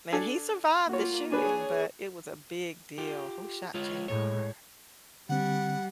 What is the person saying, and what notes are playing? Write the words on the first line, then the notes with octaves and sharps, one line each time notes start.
Man, he survived the shooting, but it was a big deal. "Who shot J.R.?"
D4 A4 G#5
A#3 F4 F#4 C#5
D4 G#4 B4 C#5 G#5
F4 G4
G#3 F4 C#5
A2 G#3 C#5
D3 G3 C4 F#5